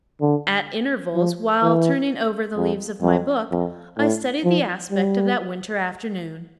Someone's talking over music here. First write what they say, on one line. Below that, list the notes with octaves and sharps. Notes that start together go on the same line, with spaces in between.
At intervals, while turning over the leaves of my book, I studied the aspect of that winter afternoon.
D3
F3
E3
F2
F2
F2
A2
F3
G3